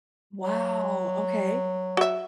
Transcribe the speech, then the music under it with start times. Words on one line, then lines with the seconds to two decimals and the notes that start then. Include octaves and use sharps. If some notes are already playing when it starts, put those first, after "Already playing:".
Wow, okay.
0.42 F#3
1.97 F#4 E5